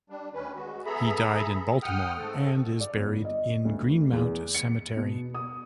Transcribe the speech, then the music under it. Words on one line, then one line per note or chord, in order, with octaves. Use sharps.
He died in Baltimore and is buried in Greenmount Cemetery.
G3 D4
D2 D#3 C#4 B4
G#3 F#4
B3 G#4 A4 E5 A#5 B5
F#5 G5 D#6 F6
G#2 A3 C4 A4
D5
G1
D#5
D2
E2
C#7
B2
D#6